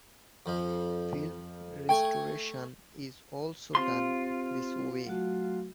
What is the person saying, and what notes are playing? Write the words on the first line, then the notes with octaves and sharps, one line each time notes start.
Film restoration is also done this way.
F2 F3
A3 G5 G#5 C#6
C4 F4 G4 C5 C6
F#3 A3 F#4